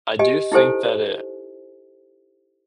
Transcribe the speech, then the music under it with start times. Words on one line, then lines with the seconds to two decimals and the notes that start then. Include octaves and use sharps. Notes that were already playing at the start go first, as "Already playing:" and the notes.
I do think that it
0.19 G4 D#5 G#5
0.52 D#4 E4 G4 A4 C5 G#5